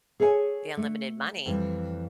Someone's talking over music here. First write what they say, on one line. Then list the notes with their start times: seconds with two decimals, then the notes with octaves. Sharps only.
The unlimited money,
0.20 G#4 A4 C#5 E5 G#5
0.77 A3
1.46 F2 E3 G3